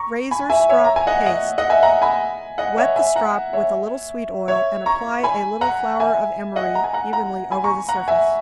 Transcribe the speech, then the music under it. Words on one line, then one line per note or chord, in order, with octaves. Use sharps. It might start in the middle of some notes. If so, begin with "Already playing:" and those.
Razor-strop Paste.--Wet the strop with a little sweet oil, and apply a little flour of emery evenly over the surface.
Already playing: A#5 C#6
G#5 B5
E5 G#5
C#5 E5
A#5
G#5
D#5 F#5
D#5 F#5
D#5 F#5
E5 G#5
F#5 A#5
G#5 B5
D#5 F#5
C#5 E5
E5 G#5
F#5 A#5
C#5 E5
C#5 E5
A#5 C#6
G#5 B5
F#5 A#5
E5 G#5
D#5 F#5
A#5
G#5
F#5 A#5
F#5 A#5
G#5 B5
A#5 C#6
F#5 A#5
E5 G#5